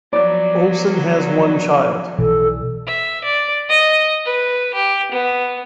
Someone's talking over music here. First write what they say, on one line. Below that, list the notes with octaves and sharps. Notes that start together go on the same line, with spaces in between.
Olson has one child.
F3 F#3 B3 D5
B1 B2 E3 A4
E5
D5
D#5
B4
G4
B3